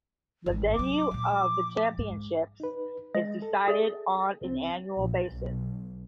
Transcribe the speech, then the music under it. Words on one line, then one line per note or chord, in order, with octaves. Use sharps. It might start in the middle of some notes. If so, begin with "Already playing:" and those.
The venue of the championships is decided on an annual basis.
G#1 G#2
C3 F#3 D6
A#2 F3
G#2
D#4 B4
G#3 D#5
A4
G#4 D5 E5
C2 C4
A#1
B1